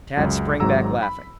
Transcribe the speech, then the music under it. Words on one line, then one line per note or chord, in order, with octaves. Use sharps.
Tad sprang back laughing.
C#2 F#2
G#1 G#2 F#3 A#5 E6
B5